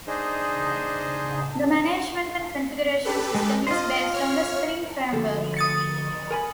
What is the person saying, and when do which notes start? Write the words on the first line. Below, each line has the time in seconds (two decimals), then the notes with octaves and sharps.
The management and configuration system is based on the Spring Framework.
0.07 D4 D#4 G#4 C5 D#5
3.04 G4 A4 B4
3.35 G#3
3.67 F4 C5 D#5
4.14 C#5 F6
5.13 D2 F3 A4
5.57 D#6 A6 C#7
6.31 A#4 G#5 B5